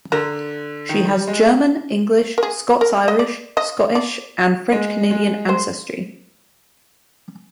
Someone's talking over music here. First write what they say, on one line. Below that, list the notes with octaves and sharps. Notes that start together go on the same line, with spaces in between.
She has German, English, Scots-Irish, Scottish, and French-Canadian ancestry.
D3 A#4
D#3
G3
G#3
A#4
G#4
A#4
D#5
D5
D#5
D5
G#3
G#3
C5